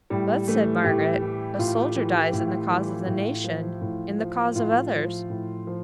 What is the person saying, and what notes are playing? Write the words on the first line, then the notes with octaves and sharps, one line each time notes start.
'But,' said Margaret, 'a soldier dies in the cause of the Nation--in the cause of others.'
A2 G3
E3 A3
A2 G4
E3
A2 F4
E3
A2
E3
A2
F3
A2
F3
A2 F4
F3
A2
F3